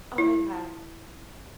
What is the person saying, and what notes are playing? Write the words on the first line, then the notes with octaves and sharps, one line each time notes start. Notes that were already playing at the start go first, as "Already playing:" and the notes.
Oh my god,
E4